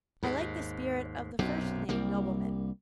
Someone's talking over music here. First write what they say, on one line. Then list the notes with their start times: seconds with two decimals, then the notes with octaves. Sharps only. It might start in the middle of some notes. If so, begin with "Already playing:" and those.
I like the spirit of the first-named nobleman.
0.23 D#2 G#2
1.39 B1 F#2 C3
1.89 C2 G3 A#3